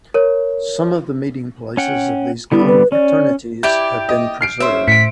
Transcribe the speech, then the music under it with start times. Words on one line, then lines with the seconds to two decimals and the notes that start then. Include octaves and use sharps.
Some of the meeting places of these confraternities have been preserved.
0.14 A#4 C#5
1.77 C#4 F#5 G5
2.52 D3 G3 B3 E4
2.67 B4
2.92 C#4 D5
3.63 E4 G4 D5 G6 D7
4.09 D#5
4.41 F6 C7 D7
4.60 C#4 C5 E5
4.88 A2 B6 C#7 D7